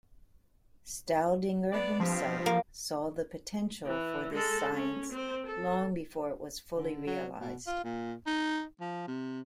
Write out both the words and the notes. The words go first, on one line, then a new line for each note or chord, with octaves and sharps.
Staudinger himself saw the potential for this science long before it was fully realized.
B3 D4 D5
G2 C3 F3 C4
A#3
E3
G#3 A4
C#4
C4 C5
A4
D3
F#3
B2
F4
A#2
D#4
F3
C3